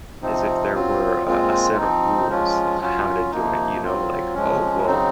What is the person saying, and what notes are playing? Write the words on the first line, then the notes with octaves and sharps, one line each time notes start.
as if there were, uh, a set of rules of how to do it, you know? Like, "Oh, well,
C3 F3 C4 D#4
F#3 C4 F4
A#2 G#3 C4 F4
F3 C4 D#4
F3 G#3 C#4 F4
F#3 C#4 F4
C3 F3 A#3 D#4
F#3 C4 F4
F3 G#3 C#4
C#3 F#3 C4 D#4